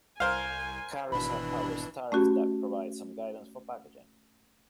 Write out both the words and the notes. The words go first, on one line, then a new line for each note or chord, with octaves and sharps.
Carriers have published tariffs that provide some guidance for packaging.
C2 A#4 C5 F5 G#5
G#1 B2 E3 D4 B5
A3 C#4 F#4 G4